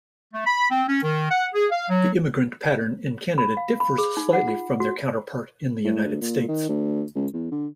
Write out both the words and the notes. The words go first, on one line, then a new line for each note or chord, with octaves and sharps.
The immigrant pattern in Canada differs slightly from their counterpart in the United States.
A3
B5
C4
C#4
D#3
F#5
G#4
F5
F#3
B5
F5
B5
G#4
D#4
F#5
F4
F#4
A2
D2
A#2
D#3
D2
C#2
E2
D3